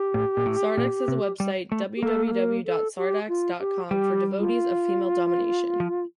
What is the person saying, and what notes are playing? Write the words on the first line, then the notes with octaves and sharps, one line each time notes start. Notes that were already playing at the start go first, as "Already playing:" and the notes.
Sardax has a website, www dot sardax dot com, for devotees of female domination.
Already playing: G4
A2
A#2
A2
A#2
C3
G3
A3
G4
A#3 A4
A4
A#4
A4
G4
F4
G4
G3 G4
F4
F3